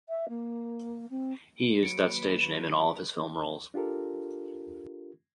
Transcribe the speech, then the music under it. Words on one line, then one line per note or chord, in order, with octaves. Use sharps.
He used that stage name in all of his film roles.
E5
A#3
C4
D#2 F#3 B4 C#7 D7
D4 F4 G4 A4 A#4